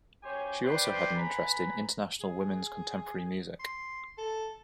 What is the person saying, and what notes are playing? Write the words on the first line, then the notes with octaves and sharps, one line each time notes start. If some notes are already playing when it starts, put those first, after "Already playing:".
She also had an interest in International Women's Contemporary music.
F#2 G4 C5 C#5 G#5
B4 C5 D5 G5 C6
B4 G#5 A#5 B5
G#4
C6
A4